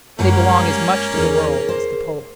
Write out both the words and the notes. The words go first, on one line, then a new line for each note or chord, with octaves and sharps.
They belong as much to the world as to Poland.
F#2 G3 G#3 A#3 C#4 F#5 A#5
E2 D#4 G#4 A#4
C5